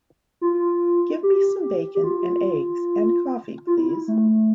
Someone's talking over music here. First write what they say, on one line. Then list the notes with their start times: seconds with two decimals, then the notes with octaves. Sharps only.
Give me some bacon and eggs and coffee, please.
0.41 F4
1.23 G4
1.95 G4
2.04 F4
3.67 F4
3.78 E4
3.88 E4
4.08 A3